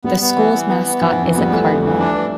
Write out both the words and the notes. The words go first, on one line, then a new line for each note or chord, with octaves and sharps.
The school's mascot is a cardinal.
G3 B3
B3
E3
E3
B3
B3
E3 F3
F3
F2
F3
G3 B3
E3 A3
F2
E3
D4
E3